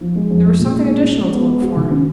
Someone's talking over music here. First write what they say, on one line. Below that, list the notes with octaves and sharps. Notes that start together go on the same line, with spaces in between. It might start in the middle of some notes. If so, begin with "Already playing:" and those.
There was something additional to look for.
F3
G#3
F2
G#3
A#2
G#3
C#4
C#4
G#3
B3
G#3
F#4
D#3
C#4